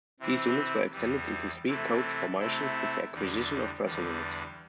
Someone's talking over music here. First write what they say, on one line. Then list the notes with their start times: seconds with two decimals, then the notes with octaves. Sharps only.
These units were extended into three-coach formations with the acquisition of further units.
0.20 C3 E3 C4 E4
0.93 E2 E3 G3
1.66 C3 E3 A3 E4
2.40 C3 A3 E4
3.12 E2 D3 G3
3.85 E2 D3 G3